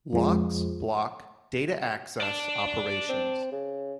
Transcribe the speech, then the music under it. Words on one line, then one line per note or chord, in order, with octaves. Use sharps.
Locks block data-access operations.
F2 F3 G#3
D5 A5
C4
C#3